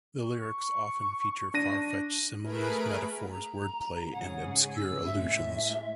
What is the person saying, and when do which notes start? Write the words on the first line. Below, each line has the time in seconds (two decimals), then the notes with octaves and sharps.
The lyrics often feature far-fetched similes, metaphors, word play and obscure allusions.
0.23 C#6
1.54 D4 A#6 D#7
2.41 A3 G#4 A#4 B4 B5 D7
3.31 A#5
4.12 G#2 C#3 G#4 F#5
4.76 E6
5.06 A2 G#3 E5